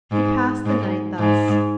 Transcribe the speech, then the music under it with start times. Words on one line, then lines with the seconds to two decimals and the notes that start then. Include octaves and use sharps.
She passed the night thus.
0.12 G#2
0.66 G#2
1.19 G#2